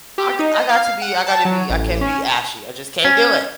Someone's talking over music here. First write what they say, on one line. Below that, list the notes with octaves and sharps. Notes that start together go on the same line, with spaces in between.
I g I got to be I gotta be I can't be ashy. I just can't do it.
G4
D#4
D#5
F5
F#5
A5
F#3
A1
C#4
C#4